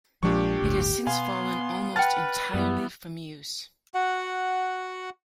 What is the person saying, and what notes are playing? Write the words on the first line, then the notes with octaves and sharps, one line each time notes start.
It has since fallen almost entirely from use.
A#1 A#2 F3 G#3 D4 G4 C#6
G1 D2 A2
B2 B3 F5 G#5 C6
B4 F#5 G5 A5 F6 A6
F#2 E3 B3
F#4 F#5